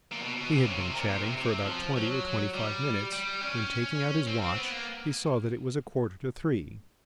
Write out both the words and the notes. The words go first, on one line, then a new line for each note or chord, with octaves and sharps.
He had been chatting for about twenty or twenty-five minutes, when, taking out his watch, he saw that it was a quarter to three.
A#2
B2
B2
C3
C#3
C3
A#2
A#2
C3
C3
F#3
F3
F#3
G3
G3
C#4
C4
C4
B3
A#3